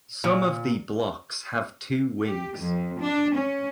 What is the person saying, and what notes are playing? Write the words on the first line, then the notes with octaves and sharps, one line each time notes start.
Some of the blocks have two wings.
A#2
G4
F2
D4
C#4